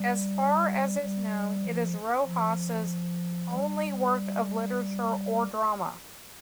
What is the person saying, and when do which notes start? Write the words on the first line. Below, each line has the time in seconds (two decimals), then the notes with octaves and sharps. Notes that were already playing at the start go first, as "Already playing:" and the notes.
As far as is known it is Rojas's only work of literature or drama.
Already playing: G3
1.00 G3
1.63 F3
2.25 F3
3.50 G3